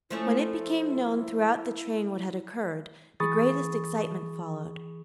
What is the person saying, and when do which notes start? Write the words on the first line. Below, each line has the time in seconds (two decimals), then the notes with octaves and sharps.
When it became known throughout the train what had occurred, the greatest excitement followed.
0.10 F3 A3 C#4 E4
3.20 E3 G#4 B5 C#6 D#6 A6